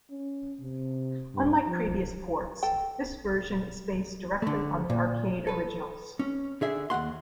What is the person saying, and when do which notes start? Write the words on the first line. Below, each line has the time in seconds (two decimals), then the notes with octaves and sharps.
Unlike previous ports, this version is based directly on the arcade originals.
0.10 C#4
0.60 C3
1.35 G2
1.67 F3
2.63 A4 G5
4.42 D3 A3
4.90 A#2
5.47 A4 B4
6.19 C#4
6.61 D3 G#4 E5
6.90 D#2 G#2 F#5 C6